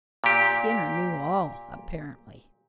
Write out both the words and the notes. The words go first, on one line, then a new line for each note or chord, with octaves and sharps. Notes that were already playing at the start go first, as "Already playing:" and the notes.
Skinner knew all, apparently.
A#2 G4